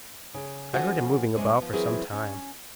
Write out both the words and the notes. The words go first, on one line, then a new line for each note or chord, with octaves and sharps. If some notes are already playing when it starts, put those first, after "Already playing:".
I heard him moving about for some time.
C#3
F3 C#4 F4 F#4 A4 C5
C3 G#3 C#4 D4
F3 B3
E3 F#3 C4 E4 G#4 A#4
C#4